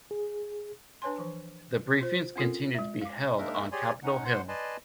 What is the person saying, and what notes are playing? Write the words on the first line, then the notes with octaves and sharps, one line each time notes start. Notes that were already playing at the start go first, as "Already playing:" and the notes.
The briefings continue to be held on Capitol Hill.
G#4
D4 B4 C#5 G#5 C6
E3 F3
F4 C5
C4 C#4 F4 A4 A#4
G#3 E5
F5 D6
G#3 A#3 D4 D#4 A#4 E5
G4 G#4 C#5 D5 G#5 C6
C#4 D#4 F#5
C5 F#5 C6
B4 D5 D#5 G#5 A5 C6